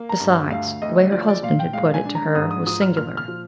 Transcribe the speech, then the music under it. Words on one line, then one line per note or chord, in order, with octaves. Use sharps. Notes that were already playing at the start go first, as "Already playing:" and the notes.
Besides, the way her husband had put it to her was singular.
Already playing: A#3
A#5
G2
D2 F5
D2 D#5
F3 D5
D5
A#2 F5
G5
G#3 F5
G#5
D4
A#5
G#2 D#6
D#6
F3 D#6
F6
A#2 F6
F6
F3